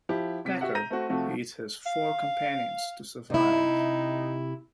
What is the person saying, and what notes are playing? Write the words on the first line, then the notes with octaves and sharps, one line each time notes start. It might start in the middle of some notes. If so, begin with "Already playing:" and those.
Packer ate his four companions to survive.
F3 E4 G4
C3 B6
F#4 G4 E5 F#5
A#5 G6 A#6 D#7
A3 C4 F#4
C3 F3 A3 F#4
F5
C3 D#4 E4